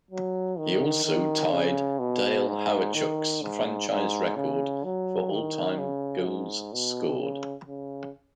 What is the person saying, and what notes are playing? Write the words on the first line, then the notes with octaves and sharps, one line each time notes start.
He also tied Dale Hawerchuk's franchise record for all-time goals scored.
F#3
D#3
D#3
C#3
B2
G#2
D#3
G#2
G#2
C#3
F#3
D#3
C#3
G#2
B2
C#3
C#3